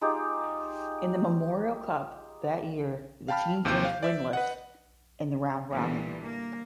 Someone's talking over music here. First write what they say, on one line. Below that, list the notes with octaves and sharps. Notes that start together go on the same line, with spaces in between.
In the Memorial Cup that year, the team finished winless in the round-robin.
G#3 D#4 F4 G4
F5 G5 A5 B5 F6
D#2 C3 E3 G4 C5 G6
F5
D5 E5
B4 D#5 F#5
A#2 D3 E3 G3 B3
A#3